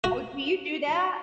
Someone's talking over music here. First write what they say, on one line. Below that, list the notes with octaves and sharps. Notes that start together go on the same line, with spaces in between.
Oh, do you do that?
F#4